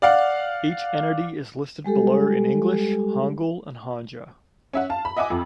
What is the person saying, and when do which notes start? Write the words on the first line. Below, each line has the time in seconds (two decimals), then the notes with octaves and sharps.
Each entity is listed below in English, Hangul, and Hanja.
0.02 D5 F5 F#5
1.84 G3 G#3 G4 A4
4.73 C#4 E5 F#5
4.90 F5 A5
5.05 B5
5.17 D#5 E5 F#5 G#5 D6
5.30 F2